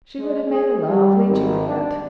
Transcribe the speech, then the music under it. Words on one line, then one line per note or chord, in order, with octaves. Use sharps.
She would have made a lovely Juliet.
G#3
G#4
G3
G#1
D4